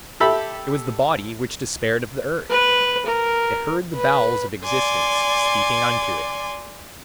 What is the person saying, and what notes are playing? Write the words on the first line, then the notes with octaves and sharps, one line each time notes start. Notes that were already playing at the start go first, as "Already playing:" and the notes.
It was the body which despaired of the earth--it heard the bowels of existence speaking unto it.
G4 A4 E5 B5
B4
A#4
B4
D5 G#5 C6